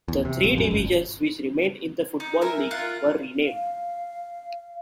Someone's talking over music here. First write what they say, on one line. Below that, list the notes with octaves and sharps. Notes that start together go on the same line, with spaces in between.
The three divisions which remained in the Football League were renamed.
E2
C3
A#1
F#2
G1
D#4
A#4 E5 G#5
F4 A#4 F#5
F5